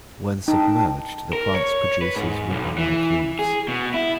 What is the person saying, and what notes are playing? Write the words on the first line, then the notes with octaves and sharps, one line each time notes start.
When submerged, the plant produces ribbon-like leaves.
D#4 G5 A5
A#4
C#5
B4
G#2
B1
E3
G#4
B2
E4